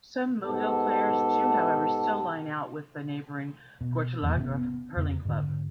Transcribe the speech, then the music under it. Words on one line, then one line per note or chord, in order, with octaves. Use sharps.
Some Mohill players do however still line out with the neighbouring Gortlettragh Hurling Club.
G#2 B3 G4 A4
B2
F1 E2 A#2
G#1 C3 B3 C#4
B3
F2 C#3
G#2 D3